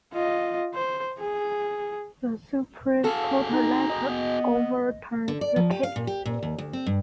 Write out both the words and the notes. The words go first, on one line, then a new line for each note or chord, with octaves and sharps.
The Supreme Court later overturned the case.
F4 D#5
C5
G#4
F#4 G#4 A4 F5
D#4 A#5
D#5
B3
D3
D5
F3
G4
F5
A#2
G4
A#2
D#2
D2
C4
G2